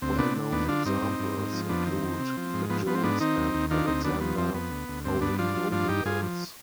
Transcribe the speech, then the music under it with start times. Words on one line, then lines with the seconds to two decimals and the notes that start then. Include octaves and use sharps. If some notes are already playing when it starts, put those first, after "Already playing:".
Well-known examples include the Jones and Alexander polynomials.
0.02 D2 C4
0.18 C3 B3 D4
0.35 D3
0.52 D#2 B3 D4
0.68 D3 D4 F4
0.86 G2 C4 D#4
1.02 G2
1.19 G2
1.36 G#2
1.52 F3
1.69 F2 B3 D4
1.86 D#3 C4
2.03 F2
2.20 C3
2.37 F3
2.53 G#2
2.69 F3 B3
2.86 F3 B3
2.95 C4
3.04 G#2 B3 D4
3.20 D#3 C4 D#4
3.37 D#2
3.54 D#2
3.70 D#3 D4 F4
3.87 D2 C4 D#4
4.04 D#2 B3 D4
4.20 F3 B3
4.37 F2 C4
4.54 F2 B3
4.71 D2
4.88 D2
5.05 G2 C4
5.21 G2 B3 D4
5.38 F3 D4 F4
5.55 F3
5.72 G2 D4 F4
5.88 G2 D#4 G4
6.05 G2 F4 G#4
6.22 F3